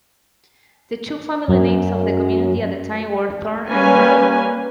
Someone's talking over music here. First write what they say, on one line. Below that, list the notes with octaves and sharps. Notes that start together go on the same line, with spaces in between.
The two family names of the community at the time were Thorne and Crann.
F#2
G3 A#3 C#4 B4 G#5